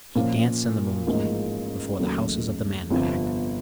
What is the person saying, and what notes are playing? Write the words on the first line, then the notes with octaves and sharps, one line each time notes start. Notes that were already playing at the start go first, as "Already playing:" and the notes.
He danced in the moonlight before the houses of the Man-Pack.
A#2 F3 A#3 C#4
A1 G#2 F3 A#3
D#2 C#3 F#3 A3
G1 F2 C3 F3